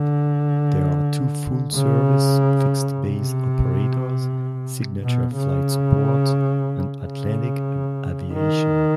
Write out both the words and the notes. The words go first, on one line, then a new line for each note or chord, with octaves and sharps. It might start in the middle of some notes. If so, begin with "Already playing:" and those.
There are two full-service fixed-base operators, Signature Flight Support and Atlantic Aviation.
Already playing: D3
C#3
C3
B2
C#3
C#3
D#3